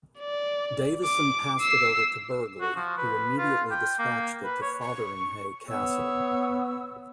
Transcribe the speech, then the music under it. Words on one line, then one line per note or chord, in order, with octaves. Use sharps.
Davison passed it over to Burghley, who immediately dispatched it to Fotheringhay Castle.
D5
D6
E6 C7
F#4
F3
B4
F4
G5
A#3
B4
C#5
C#6
B3 C#5 E6